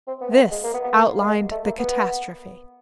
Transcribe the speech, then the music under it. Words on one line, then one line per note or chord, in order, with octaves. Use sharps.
This outlined the catastrophe.
C4
B3
A3
A#3
G#3
A#3
B3
B3
A#3
G#3
A3
A#3
B3